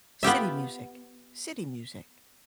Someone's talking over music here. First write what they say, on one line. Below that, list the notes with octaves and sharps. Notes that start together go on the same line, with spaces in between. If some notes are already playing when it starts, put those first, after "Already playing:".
City music. City music.
B3 F4 G4 E5